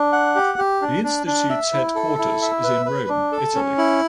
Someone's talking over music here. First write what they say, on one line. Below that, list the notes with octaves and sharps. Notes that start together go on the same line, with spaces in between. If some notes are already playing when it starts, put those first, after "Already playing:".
The Institutes headquarters is in Rome, Italy.
Already playing: D4
F#5
G4
G4
D4
D4
D4
E5
E4
A4
E4
E5
B4
B4
D4
A4
C#4
E4